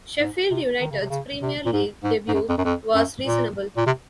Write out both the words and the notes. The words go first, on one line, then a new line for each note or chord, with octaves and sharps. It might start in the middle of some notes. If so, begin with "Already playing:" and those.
Sheffield United's Premier League debut was reasonable.
G#2
C3
D#3
C#3
C3
C#3
C3
A#2
G#2
G#2
G#2
F#2
F2
F#2
F2
F#2
A#2
A#2
C3